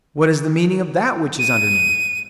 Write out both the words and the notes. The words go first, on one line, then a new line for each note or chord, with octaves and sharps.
What is the meaning of that which is underneath?
D#7